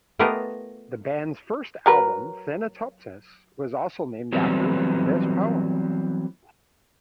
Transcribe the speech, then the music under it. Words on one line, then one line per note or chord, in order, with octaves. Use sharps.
The band's first album, "Thanatopsis", was also named after this poem.
A3 B3 F4 G4 A#4 D#5
F#3 A#4 B4
E3 F#3 G3 B3 C4